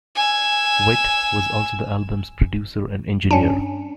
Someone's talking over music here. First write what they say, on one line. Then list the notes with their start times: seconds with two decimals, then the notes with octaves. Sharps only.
Wirt was also the album's producer and engineer.
0.16 G#5 E6
3.31 G2 C#4 D4